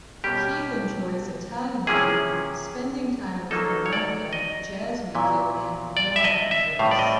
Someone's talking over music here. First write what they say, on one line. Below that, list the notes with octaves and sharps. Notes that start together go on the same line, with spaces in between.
Keith enjoys Italian food, spending time with Veronica, jazz music and "noir flicks".
B2 G3 A#3 C#4 G4
C3 F3 A#3 C#4 E4 G#4
F#3 A#3 D#4 A4
C#5
D5
D#5
A#2 F#3 B3 E4
D5
E5
D#5
E5
A2 E3 G3 C4 F5
D5
D#5